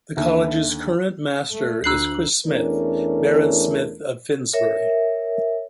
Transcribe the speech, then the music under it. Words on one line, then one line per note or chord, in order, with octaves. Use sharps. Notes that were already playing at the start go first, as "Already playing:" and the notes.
The college's current master is Chris Smith, Baron Smith of Finsbury.
D#2 D3 E5
A3
D2 D4 E6 F#6 C7 F#7
E2 A3 C#4 D4 A#4
A#4 C#5 E5